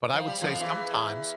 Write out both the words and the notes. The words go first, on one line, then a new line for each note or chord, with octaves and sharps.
but I would say sometimes
F3
G3
F2 F3
E2 E3